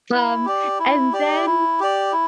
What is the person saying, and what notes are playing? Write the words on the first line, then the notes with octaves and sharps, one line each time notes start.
Um, and then
E4
G4 D5
E4
G4 D5
E4
G4 D5
E4